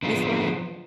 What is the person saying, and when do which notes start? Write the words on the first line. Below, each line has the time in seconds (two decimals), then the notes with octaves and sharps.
It's, like
0.03 D3 F3 B3 F4 G#4